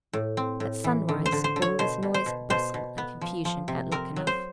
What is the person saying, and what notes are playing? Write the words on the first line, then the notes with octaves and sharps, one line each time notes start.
At sunrise all was noise, bustle and confusion at Luckenough.
A2
C4
A2
E3
D3
C5
D3
C5
D3
C#5
B2 C5
B2
C5
B2
B2 C5
B2
B3
F3
F3
C3
C4 A#4
F#3
C5